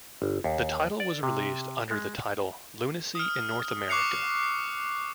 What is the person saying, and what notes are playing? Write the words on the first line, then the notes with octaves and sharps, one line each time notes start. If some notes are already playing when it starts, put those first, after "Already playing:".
The title was released under the title Lunacy in North America.
G1
D#2
D5
C3
G#3
D#6 F6
C#6 D6 F#6 C7 C#7 F7
C7